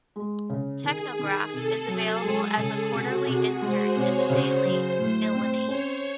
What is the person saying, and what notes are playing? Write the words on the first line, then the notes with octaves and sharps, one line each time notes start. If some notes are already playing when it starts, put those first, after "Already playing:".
"Technograph" is available as a quarterly insert in the "Daily Illini".
G#3
C#3
D#3 G#4
D#3
C3 A4
F#3 G#4
G#3 G#4
C#3 G#4
C3 F#4
C3 G#4
G#3 C5
C3 C#5
C#3 C5
F#3
A2
C4
C#4 C#5